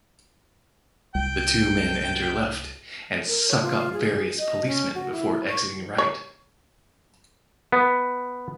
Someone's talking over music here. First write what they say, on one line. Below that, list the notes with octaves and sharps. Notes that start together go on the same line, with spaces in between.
The two men enter left and suck up various policemen before exiting right.
C2 G5
A#4
C#5
F4
G#4
D#5
C#4
F#4
E4
C#6
C#5
B3